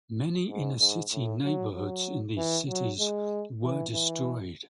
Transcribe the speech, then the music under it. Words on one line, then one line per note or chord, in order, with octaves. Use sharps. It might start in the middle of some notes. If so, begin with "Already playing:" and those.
Many inner city neighborhoods in these cities were destroyed.
G#2
G#2
A2
F#3
F#3
E3
F#3
G#3
E3
E3